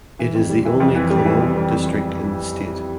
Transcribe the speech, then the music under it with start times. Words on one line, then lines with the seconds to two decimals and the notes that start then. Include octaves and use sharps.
It is the only Cologne District in the state.
0.19 E3
0.35 F2
0.49 G3
0.65 E3
0.80 F2
0.95 E3
1.10 G3
1.25 E3
1.41 E3
1.56 G3
1.71 F2
1.86 F2